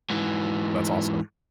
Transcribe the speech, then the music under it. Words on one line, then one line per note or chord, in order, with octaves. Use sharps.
That's awesome.
G#2 E3